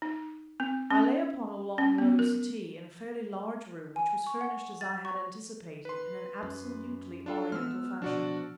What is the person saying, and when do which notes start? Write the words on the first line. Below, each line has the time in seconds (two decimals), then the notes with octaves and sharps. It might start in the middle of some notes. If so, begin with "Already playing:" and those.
I lay upon a long low settee, in a fairly large room which was furnished as I had anticipated in an absolutely Oriental fashion.
0.02 D#4
0.60 C4
0.91 C#4
1.78 C#4
1.98 B3
2.19 A#4
3.96 G#5
4.27 C#6
4.41 F#5
4.81 A6
5.05 C#6
5.85 B4 C6
6.43 F#2
7.26 D4 F4 A4
7.52 G#3 A#3 B3 E6 F6
8.02 B2 F3 D4 F#4 D5